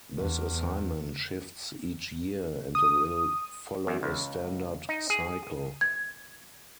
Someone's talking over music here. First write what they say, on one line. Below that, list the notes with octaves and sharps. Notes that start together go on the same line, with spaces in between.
This assignment shifts each year and will follow a standard cycle.
E2
D#6
E2
C#2
D#4
G#4
G#6